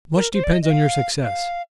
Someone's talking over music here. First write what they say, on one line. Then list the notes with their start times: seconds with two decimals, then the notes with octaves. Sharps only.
Much depends on your success.
0.16 A#4
0.33 C5
0.44 D5
0.52 D#5
0.63 D#5
0.70 F5
1.24 F5